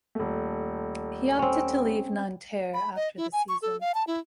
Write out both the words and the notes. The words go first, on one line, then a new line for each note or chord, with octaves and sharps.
He opted to leave Nanterre after the season.
D#1 A3
C4 C#4
B5
D#5
E4
G#5
C#6
A4
F5
A5
E4